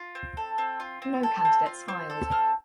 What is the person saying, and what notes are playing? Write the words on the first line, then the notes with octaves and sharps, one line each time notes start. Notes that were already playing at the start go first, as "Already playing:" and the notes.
No candidates filed.
Already playing: F4
C4
A4
C4
F4
C4
A4
C4
F4
C4
A4
C4 F6